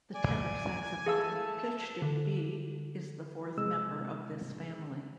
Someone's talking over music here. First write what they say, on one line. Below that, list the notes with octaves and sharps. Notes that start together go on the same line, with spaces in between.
The tenor saxophone, pitched in B, is the fourth member of this family.
D5 G#5
A3 G#4 F5 A5 E6
D3
C3 G#3 E6